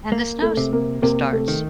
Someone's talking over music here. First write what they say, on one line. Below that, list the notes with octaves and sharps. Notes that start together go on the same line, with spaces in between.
and the snow s starts,
A#3
A3
C3
A#3
C3 A#3
A3
D#3